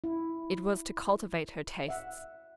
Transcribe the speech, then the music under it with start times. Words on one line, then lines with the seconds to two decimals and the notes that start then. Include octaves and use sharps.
It was to cultivate her tastes.
0.04 E4
1.88 E5 F#5